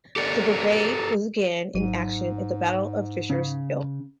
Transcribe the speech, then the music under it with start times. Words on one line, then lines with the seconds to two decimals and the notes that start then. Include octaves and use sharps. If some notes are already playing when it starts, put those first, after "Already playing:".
The brigade was again in action at the Battle of Fisher's Hill.
0.16 G4 A4 A#4 D5
1.74 G#1 G#2 F#3 D#7
3.30 C#3 C#4